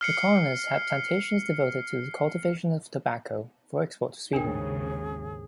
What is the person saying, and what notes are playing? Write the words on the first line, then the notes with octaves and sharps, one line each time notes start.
The colonists had plantations devoted to the cultivation of tobacco for export to Sweden.
F6 C7 C#7
G#1 D#2 C#3 D4 G#4 A#4 G5